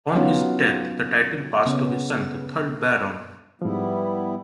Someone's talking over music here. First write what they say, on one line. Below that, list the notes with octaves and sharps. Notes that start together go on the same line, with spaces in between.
On his death, the title passed to his son, the third Baron.
F#3 B3 C#4 D#4 F4 F#4
C#3 B3 C#4
G#2 F3 G3 B3 E4